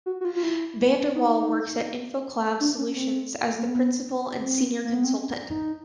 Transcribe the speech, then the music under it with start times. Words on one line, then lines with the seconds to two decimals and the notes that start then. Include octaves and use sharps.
Vander Wal works at InfoCloud Solutions as the Principal and Senior Consultant.
0.06 F#4
0.21 F#4
0.25 F4
0.37 F4
0.43 E4
1.15 D#4
2.60 D4
2.78 C#4
2.96 C4
3.58 A#3
3.69 B3
4.41 C4
4.85 A#3
4.95 B3
5.04 C4
5.14 C#4
5.32 D4
5.50 D#4